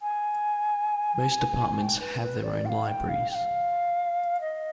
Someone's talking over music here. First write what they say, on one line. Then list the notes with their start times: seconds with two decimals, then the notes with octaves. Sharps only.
Most departments have their own libraries.
0.02 G#5
1.77 G#5
1.82 G5
1.99 B4
2.22 B4
2.44 D5
2.66 G5
2.69 F5
2.87 G5
3.09 F5
3.31 G5
3.35 F5
4.41 D#5